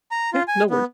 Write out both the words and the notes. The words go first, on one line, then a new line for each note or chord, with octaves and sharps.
Yeah, no worries.
A#5
F4
G#5
B3